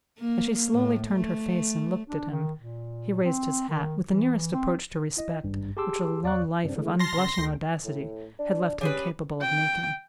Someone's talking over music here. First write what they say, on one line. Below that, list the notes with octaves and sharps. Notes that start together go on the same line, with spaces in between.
As she slowly turned her face and looked at him, he raised his hat, with the nearest approach to respect which a long life of unblushing audacity had left him capable of making.
A#3
A2
A3
D4
D#3
A#2
C4
D#3
E3
C4
E4 D#5
G#1 G2
G4 G#4 A5 C6 D6 E6
E2 C#5 D5 F5 C#6 F#6
G2 C#3 C4 D4
D3 E3 G#3 A3
F#3 A5 C6 F6 A6 A#6
C#3
D2 A4 G5
A2
D4
G3 C#4 G#4 B4
G5